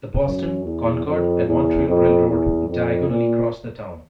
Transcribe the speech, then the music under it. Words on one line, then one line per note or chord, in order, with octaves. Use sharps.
The Boston, Concord and Montreal Railroad diagonally crossed the town.
F#2
E2
F2
E2
F2
E2
F2
A#2